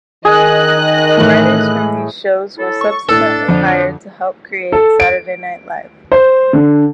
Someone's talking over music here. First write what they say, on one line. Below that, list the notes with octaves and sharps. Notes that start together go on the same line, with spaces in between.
Writers from these shows were subsequently hired to help create Saturday Night Live.
D#3 G#4 D#5 F#6
A2 E3 A3
C#4 E4 A4
C#6
A2 D4 A4 E6 A6
F2 D3 F3
A4
D7
C5
D3